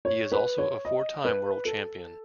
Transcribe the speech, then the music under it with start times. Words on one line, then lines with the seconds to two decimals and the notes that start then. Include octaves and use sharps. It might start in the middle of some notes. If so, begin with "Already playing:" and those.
He is also a four-time world champion.
0.05 C#5
0.32 B4
0.58 C#5
0.85 D#5
1.25 B4
1.65 A4